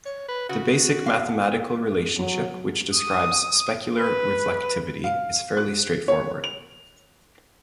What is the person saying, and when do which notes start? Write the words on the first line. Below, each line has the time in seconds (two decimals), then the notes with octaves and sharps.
The basic mathematical relationship which describes specular reflectivity is fairly straightforward.
0.06 C#5
0.28 B4
0.49 C#3 F#4
1.06 F5
2.17 F#3
2.95 D#6
3.98 B4
5.04 F5
5.57 F#6
6.08 C#5
6.44 F7